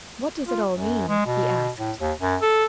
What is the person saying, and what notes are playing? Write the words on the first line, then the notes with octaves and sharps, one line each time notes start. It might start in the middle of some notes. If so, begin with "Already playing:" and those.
"What does it all mean?" he asked.
F4
F#2
G#3
B2
A2
D#2
F#2
A4